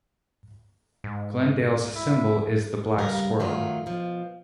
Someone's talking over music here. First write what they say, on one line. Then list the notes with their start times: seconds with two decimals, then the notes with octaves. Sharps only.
Glendale's symbol is the black squirrel.
1.04 G#2
1.95 E4 E5
2.98 G2 C#3 G3 A#4 F5
3.40 D#3 F#3 A3 F4
3.86 B2 F3